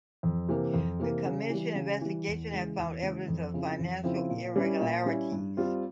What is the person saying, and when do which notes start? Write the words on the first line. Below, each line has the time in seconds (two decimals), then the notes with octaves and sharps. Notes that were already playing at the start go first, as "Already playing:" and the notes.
The Commission investigation had found evidence of financial irregularities.
0.23 F2
0.49 C3 E3 A#3
0.73 F2
0.99 C3 E3 A#3
1.25 C#3
1.50 E3 G3
1.75 C#3
2.01 E3 G3
2.27 E2
2.51 C#3 E3 G#3
2.77 E2
3.02 C#3 E3 G#3
3.28 F2
3.54 C#3 F3 C4 E4
3.79 F2
4.04 C#3 F3 C4 E4
4.29 A#2
4.56 G3 C#4 E4
4.81 A#2
5.05 G3 C#4 E4
5.32 G2
5.57 G3 C4 F4